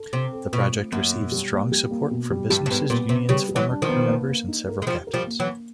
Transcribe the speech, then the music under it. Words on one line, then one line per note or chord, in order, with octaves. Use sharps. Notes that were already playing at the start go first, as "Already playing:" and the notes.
The project received strong support from businesses, unions, former crewmembers and several Captains.
Already playing: A4
C3 C4
A4
B2 F4
A3
F#2 A#3
B2
G3
A#3
G3
A#3
B2
G3
G2 G3
G2
G#2 B3
A#2 B3
C3 B3
C#3 G3
G3
E3 F#3
D4
D#3 F3
B3
A#3
A#3
D#4
A#4
G#3
F3 G3 G4
A#4
F3 G3
A#3
E3 F#3
A#3